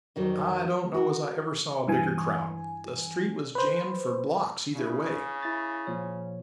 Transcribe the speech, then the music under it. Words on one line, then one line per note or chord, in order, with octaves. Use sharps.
I don't know as I ever saw a bigger crowd; the street was jammed for blocks either way.
F2 D#3 F#3 G3
F#4 A#4
G2 E3 G#5
B4 C5
C#3 D4 E4
E4 A6
A#2 F3 C#5